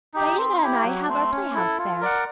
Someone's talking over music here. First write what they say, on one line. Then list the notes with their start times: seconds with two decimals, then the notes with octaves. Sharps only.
Diana and I have our playhouse there.
0.14 D#4 G4
0.37 C4
0.61 E4 G4
0.84 F#3
1.07 A3 C4
1.31 C#4
1.54 E4 A4
1.78 F4
2.01 A#4 D5 F#5